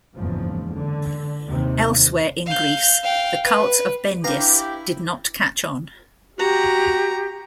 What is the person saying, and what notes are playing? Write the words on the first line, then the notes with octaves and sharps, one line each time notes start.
Elsewhere in Greece, the cult of Bendis did not catch on.
F#1 E2 G#2 F3
D3
D#2 C3 D#3
F5 G6
F5 G5
B4
D4 E4 G4 B4 F5 A#5
F#4 G4 A#5